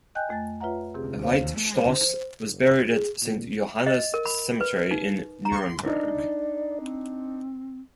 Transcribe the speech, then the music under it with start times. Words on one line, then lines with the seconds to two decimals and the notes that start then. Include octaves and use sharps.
Veit Stoss was buried at Saint Johannis cemetery in Nuremberg.
0.15 D#5 G5 G#5 F#6 G6
0.29 F2 A3 G#5 A6
0.60 F4 B4 C#5 E5 F#5 A#5
0.94 C3 C4 G4 G#4
1.22 C5 C#5 F5
1.74 C5
2.49 F#1
2.89 G#4
3.22 A#2
3.86 D#5
4.14 A#4
4.26 B5
4.61 B4
4.91 D#4
5.45 A#5
5.86 D4 D#4 D5
6.80 C4